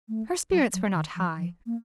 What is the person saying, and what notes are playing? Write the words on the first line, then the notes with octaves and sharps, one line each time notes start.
Her spirits were not high.
A3
F#3
F#3
D#3
F3
F3
A#3